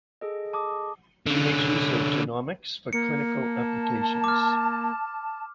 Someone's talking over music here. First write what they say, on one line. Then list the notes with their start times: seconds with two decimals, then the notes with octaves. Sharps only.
She makes use of genomics for clinical applications.
0.21 G#4 A4 D#5
0.53 A5 D6 D#6
1.27 D3 C#4
2.93 A#3 C#7
3.47 A5
4.24 D6 F6